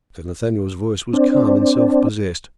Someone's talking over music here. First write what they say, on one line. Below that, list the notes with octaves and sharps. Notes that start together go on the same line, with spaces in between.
Sir Nathaniel's voice was calm and self-possessed.
C4 D4